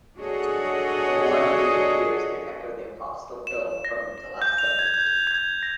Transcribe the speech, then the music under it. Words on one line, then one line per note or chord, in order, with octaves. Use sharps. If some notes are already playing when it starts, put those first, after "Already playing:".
The blonde youth appears to echo the apostle Philip from "The Last Supper".
D4 F#4 G#4 A4 C#5 D#5
E7
A#6
A#6
G6
F7
G#6
G6
G#6
A#6